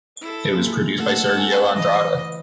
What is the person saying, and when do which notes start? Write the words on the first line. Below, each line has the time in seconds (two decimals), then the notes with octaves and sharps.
It was produced by Sergio Andrade.
0.21 E4 A4
0.53 A#3 F4 G#4
0.98 A3 A4 F#5
1.37 C#4 G#5 A5
1.75 E3 D#5 B5 D6